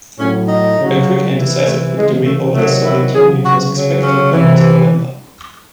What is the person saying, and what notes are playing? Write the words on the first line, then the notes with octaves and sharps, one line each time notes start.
A quick and decisive victory over the Soviet Union was expected by mid-November.
A2 F#3 C#4
D#4
C#3 F#3
C3 E3
A3
C#3 E3 G#3
A3
C3 D#3 F#3 A3
E4
C#3 F#3 G#4
F#4
C#3 F#3
C#4
C3 E3